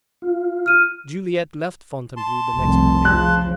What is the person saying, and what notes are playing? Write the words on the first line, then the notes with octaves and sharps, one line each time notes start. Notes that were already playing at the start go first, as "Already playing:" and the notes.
Juliette left Fontainebleau the next morning.
F4
F6 D#7
A5 C6
F1 C2 C4
C#3 F3 F#6